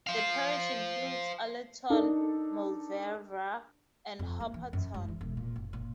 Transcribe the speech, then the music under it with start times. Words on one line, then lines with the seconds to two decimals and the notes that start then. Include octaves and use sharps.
The parish includes Allerton Mauleverer and Hopperton.
0.07 C5 F5
1.90 D4 D#4 A4 A#4
4.19 F2
4.40 A#3
4.54 E3
4.73 F#2
4.94 G3
5.08 E3
5.21 E1
5.37 A#2
5.56 F#1
5.73 A#2